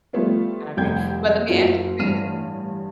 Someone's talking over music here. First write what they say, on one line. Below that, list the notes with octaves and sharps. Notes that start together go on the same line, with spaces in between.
I agree. But let me ask you this.
F3 G3 A3 B3 F4
F1 C2 G5 G6 G#6
F#1 F#3 F4 A#4
A1 G2 G3 F6 D#7